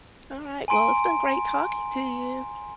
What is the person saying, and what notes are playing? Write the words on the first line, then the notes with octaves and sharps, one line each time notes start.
Alright. Well, it's been great talking to you.
G#5 A#5 C6 D7 D#7